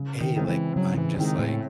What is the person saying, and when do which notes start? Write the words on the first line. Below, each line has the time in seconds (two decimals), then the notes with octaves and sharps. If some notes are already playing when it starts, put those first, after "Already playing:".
hey. Like, I'm just like,
Already playing: C#3
0.21 D#3
0.35 G#3 C4 E4
0.48 E3
0.76 C#3 F#3
0.97 E3
1.17 D#3 G#3 C4 E4
1.39 A2